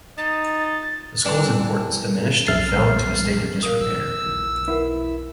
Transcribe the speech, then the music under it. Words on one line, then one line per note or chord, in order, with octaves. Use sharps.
The school's importance diminished and fell into a state of disrepair.
D#4 A6
E3 G3 D4
B1 E5 F6 A6 C7
G3 A4 A#4 F5
D#4 E6
B1 E2
E4 A#4 B4 F#5